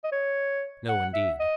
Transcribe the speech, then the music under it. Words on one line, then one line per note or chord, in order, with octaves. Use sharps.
No, indeed.
D#5
C#5
F#5
E5
D#5